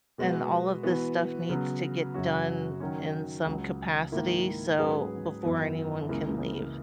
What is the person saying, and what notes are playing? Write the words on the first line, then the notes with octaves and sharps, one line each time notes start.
and all of this stuff needs to get done in some capacity so before anyone can leave.
B2 G#3 B3 F#4
E3 B3 F#4 B4
C#3 F#3 B3
F#2 C#3 F#3 C#4 F#4
D#3 F#3 C#4
C#2 C#3 F#3
G#2 D#3 A#3 E4
G#2 F#3 C#4 G#4 B4
F#2 E3 B3
C#2 C#3 E3 A#3